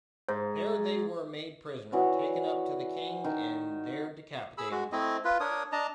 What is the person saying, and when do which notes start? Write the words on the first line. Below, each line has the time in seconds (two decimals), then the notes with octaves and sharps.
There they were made prisoner, taken up to the king and there decapitated.
0.28 G#2 C5
1.92 E3 F#4 C#5 D5
3.24 D#3
4.58 G#4 B5 E6
4.71 G#3 F#4
4.92 A3 C4 E4 D#5
5.24 F4 B4
5.40 D4 A#4 C#5 D#6
5.72 D4 D#5 A5 A#5